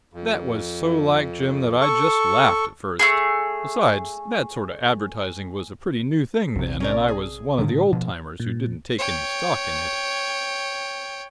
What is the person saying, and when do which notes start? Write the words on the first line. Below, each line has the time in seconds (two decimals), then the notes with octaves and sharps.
That was so like Jim that I just laughed at first; besides, that sort of advertising was a pretty new thing then, and I was one of the old-timers who didn't take any stock in it.
0.13 F2
1.81 A4 C#6
2.99 A3 A#3 G#4
6.55 A#1 C3
6.80 C#4 A#4 D5
7.08 G#4
7.59 A2 D3 D#3
7.92 B2 F3
8.40 A#2
8.98 C#5 G5